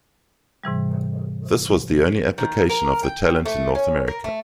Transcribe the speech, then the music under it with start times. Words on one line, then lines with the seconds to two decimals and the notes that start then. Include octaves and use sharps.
This was the only application of the Talent in North America.
0.64 G#2 C3 E3 G3
2.38 D#3
2.69 A#4
3.03 G5
3.46 A3
3.75 C#4
4.08 A#4
4.24 A3